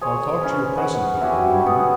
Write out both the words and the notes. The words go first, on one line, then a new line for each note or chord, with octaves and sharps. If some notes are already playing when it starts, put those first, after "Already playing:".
I'll talk to you presently, young woman.
G#4 C5 C#5
C#4 B4
B4 F#5
E4 F#4 G4 G#5
B3 G#4 F#5